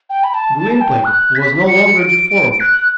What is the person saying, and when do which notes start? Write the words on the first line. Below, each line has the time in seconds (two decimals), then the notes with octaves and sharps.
Gwynplaine was no longer deformed.
0.10 G5
0.24 B5
0.34 A5
0.58 A5
0.72 A5
0.81 G5
1.04 F#6
1.35 B6
1.67 C#7
1.98 D7
2.29 D7
2.60 F#6